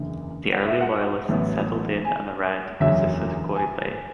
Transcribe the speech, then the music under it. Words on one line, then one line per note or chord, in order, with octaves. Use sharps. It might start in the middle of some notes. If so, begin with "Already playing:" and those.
The early loyalists settled in and around Missisquoi Bay.
Already playing: F#1 E2 D3
F#5
E5
F#5
A1 A2 F#3 B3
G#5
F#1 E2 D3 F#3 E5
G#5